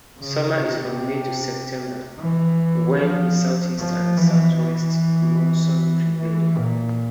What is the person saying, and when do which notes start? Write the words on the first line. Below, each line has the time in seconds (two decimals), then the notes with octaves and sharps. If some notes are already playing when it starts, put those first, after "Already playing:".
Summer is from May to September, when the southeast and southwest monsoon prevailing.
0.18 C#3
0.59 C3
2.19 E3
2.98 F3
3.78 F3
4.18 E3
4.58 E3
6.17 E3
6.58 A#2